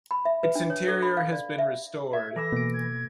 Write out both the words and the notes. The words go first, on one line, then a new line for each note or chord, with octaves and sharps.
Its interior has been restored.
B5
E5
B4
D4
C#5
A4
B5
F5
D5
E5
E5 G#6
E3 A4 D6 E6 A#6
B2 A#3 D7
G#6